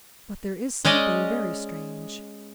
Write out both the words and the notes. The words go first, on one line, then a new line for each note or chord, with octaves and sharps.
But there is something very strange.
G#3 C#4 D5 D#5